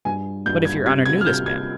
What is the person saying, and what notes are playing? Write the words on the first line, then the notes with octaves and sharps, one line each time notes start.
"But if your honor knew this man?"
G2 G#5
G2 G6
G#6
C3 G#6
G#6
F6
C3 G6
G#6